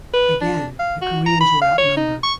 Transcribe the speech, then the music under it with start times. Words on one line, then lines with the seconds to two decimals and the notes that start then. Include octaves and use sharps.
Again, the Koreans were outnumbered.
0.14 B4
0.41 D4
0.79 F5
1.02 F#4
1.26 A#5
1.41 B5
1.62 F5
1.78 C#5
1.97 D#4
2.24 C#6